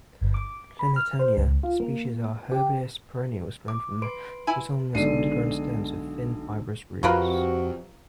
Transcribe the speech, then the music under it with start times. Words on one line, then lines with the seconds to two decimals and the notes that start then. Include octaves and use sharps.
"Clintonia" species are herbaceous perennials growing from rhizomatous underground stems with thin, fibrous roots.
0.21 G1
0.34 D6
0.79 B5
0.96 F6
1.19 C5
1.37 C#2
1.63 F4
1.80 A#3
2.52 G4
3.68 D6
4.02 B4 C6 D7
4.47 E4 G#5
4.94 B1 D3 G#3 D5 C7 D#7
7.03 F2 C3 F4 F#4 A#4 B4